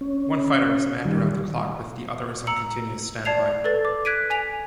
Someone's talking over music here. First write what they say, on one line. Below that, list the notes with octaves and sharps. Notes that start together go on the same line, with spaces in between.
One fighter is manned around the clock, with the others on continuous standby.
C#4
D#3 G3
A#5 E6 C#7 F#7
D5 A5 G#6 C7 F7
A4 B4 A6
D6
F#6 G#6 B6 D7 D#7
G#5 B6 F7